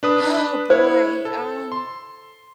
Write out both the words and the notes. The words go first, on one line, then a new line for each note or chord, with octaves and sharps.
Oh, boy, um,
D4 B4 D#6
E4 C5 C#5
A4
C6